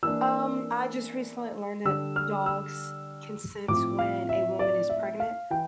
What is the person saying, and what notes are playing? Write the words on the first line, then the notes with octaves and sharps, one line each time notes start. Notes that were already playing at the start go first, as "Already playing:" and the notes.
Um, I just recently learned that dogs can sense when a woman is pregnant.
E3 A#3 D4 E6
D3 G3 D4 E6
F6
E6
A2 F3 C4 D6
F5
E5
D5
E5
F5
E3 G5